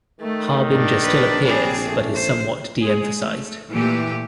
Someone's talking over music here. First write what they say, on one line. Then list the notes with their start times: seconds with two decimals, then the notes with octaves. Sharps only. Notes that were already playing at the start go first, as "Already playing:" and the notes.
Harbinger still appears but is somewhat de-emphasized.
0.20 D#3 A3
0.71 G#2 D4
1.02 A#1 B4
1.45 G3 C4 G#4
1.85 A3
2.15 C5
2.81 G#3 G#4
3.18 A3
3.69 A#2 E3 A3 G4